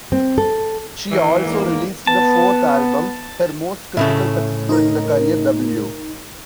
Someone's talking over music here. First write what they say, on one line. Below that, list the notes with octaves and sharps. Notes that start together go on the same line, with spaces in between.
She also released the fourth album, her most critical successful in the career, "W".
C4
A4
E3
E2 G#2 A#3
B3 A5
A2 C#3 A3 E5
D#4 A#4